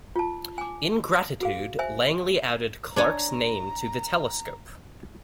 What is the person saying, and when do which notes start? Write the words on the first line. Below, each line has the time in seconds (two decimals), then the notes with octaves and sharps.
In gratitude, Langley added Clark's name to the telescope.
0.16 F4 A5
0.58 G#5 D6
1.41 F#4 G#4 F5
1.79 C5 E5 G#5
2.96 D4 C#5 G#5 A#5